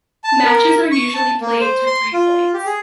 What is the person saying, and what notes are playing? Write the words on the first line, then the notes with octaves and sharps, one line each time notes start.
Matches are usually played to three points.
A5
A#4
C#6
A5
A#3
C5
C6
F4
G4
G#4